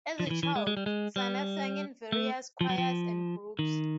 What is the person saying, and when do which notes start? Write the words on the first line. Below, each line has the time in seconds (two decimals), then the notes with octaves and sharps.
As a child, Sanda sang in various choirs and groups.
0.20 F3
0.27 D#3
0.30 E3
0.43 E3
0.56 G#3
0.67 G#3
0.77 G3
0.86 G#3
1.16 G3
2.12 A3
2.61 F3
2.69 F#3
2.78 F3
3.59 D#3